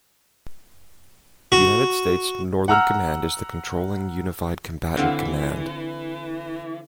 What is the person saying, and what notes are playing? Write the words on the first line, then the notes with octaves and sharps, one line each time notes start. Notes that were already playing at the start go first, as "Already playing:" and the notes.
United States Northern Command is the controlling Unified Combatant Command.
F#4
F#5 A#5 E6 F6
D3 E3 C4 F5